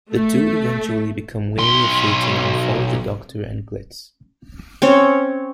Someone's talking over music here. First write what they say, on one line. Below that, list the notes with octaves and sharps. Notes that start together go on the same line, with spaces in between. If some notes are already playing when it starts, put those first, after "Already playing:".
The two eventually become weary of waiting and follow the Doctor and Glitz.
A3
B1 C6
C4 C#4 C#5